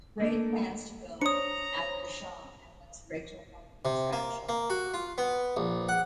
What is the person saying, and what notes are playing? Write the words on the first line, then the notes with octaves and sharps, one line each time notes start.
Ray plans to go after Shah and lets Rachel help him trap Shah.
A3 A#3 D4
D4 C5 C#5 A#5 D#6 C#7
C3
A#3
A#3
F#4
F4
B3
A#1
F#5